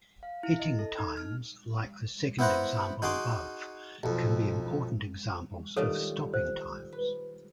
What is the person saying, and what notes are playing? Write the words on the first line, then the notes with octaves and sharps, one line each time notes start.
Hitting times like the second example above can be important examples of stopping times.
F5
E4
D#5
A4
D#4
F6
B3 E4 C5 F#5 A#5
D#4 F#4 G#4 C6 D6
B1 F2
D#3 G3 F4 A4 C#5
C5
B4